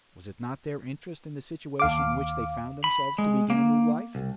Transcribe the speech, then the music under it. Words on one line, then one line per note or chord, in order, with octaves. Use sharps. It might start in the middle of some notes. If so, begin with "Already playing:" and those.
Was it not their interest in the situation in which they found themselves to begin a new life?
D#2 F5 D6
B5
G#3
A#3
C2